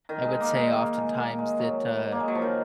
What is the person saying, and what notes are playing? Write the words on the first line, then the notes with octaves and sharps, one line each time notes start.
I would say oftentimes that, uh,
D#3
G#3
A#3
G#3
A#3
G#3
A#3
G#3
F#3
A#3
G#3
F#3
F3
D#3